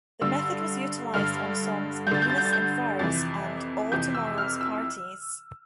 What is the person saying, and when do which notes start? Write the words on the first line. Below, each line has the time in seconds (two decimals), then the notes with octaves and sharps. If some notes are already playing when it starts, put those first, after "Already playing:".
The method was utilized on songs "Venus in Furs" and "All Tomorrow's Parties".
0.21 G2 D3 E6
1.14 G2 D3 F6
2.07 G2 G6
2.11 D3 A6
2.22 G6
2.30 A6
2.38 G6
2.46 A6
2.53 G6
2.99 F2 C3 E3 A6
3.92 F2 C3 E3 G6
4.15 E6
4.38 F6
4.61 E6